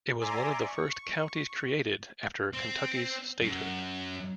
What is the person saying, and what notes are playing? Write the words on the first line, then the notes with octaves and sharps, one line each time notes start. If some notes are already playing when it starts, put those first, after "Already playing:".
It was one of the first counties created after Kentucky's statehood.
D5 E5 G#5 A#5 C6 D6
C#6
C4
F#2